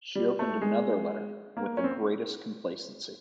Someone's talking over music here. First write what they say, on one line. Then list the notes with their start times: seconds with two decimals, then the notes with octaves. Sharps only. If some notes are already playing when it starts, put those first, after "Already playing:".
She opened another letter with the greatest complacency.
0.15 G3
0.39 A3
0.61 G#3
1.57 A#3
1.77 C#4
1.84 C4